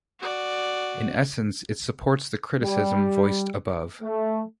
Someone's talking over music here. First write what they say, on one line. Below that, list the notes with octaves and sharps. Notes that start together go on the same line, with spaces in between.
In essence it supports the criticism voiced above.
F#4 D5
G3
A3